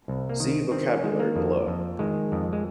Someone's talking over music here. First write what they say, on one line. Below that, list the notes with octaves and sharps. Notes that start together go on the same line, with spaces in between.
See Vocabulary below.
C2
A#3
D#3
D#3 C4
C#4
D#3 G#3
A#3
F2
F2
D#3 G#3
F2
G#3